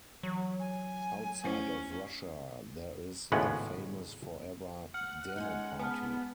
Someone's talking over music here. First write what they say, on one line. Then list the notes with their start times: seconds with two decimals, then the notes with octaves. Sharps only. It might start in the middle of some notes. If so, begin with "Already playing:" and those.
Outside of Russia there is the famous Forever demoparty.
0.23 E3 F#3
0.60 G#5
1.44 A3 C#4 E4 C5
3.32 G#1 A2 C#3 G#3 B3 F#5
4.94 F#5 F6
5.36 G#3 C#4 D#4
5.79 B3 G#5 A5 F6